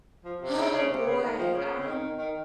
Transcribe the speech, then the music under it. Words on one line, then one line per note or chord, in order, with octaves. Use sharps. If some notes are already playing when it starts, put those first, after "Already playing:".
Oh, boy, um,
F3
C3
C#3
C#3
C3
C#3
D#3
F3
C#3
C#3
D#3
D#3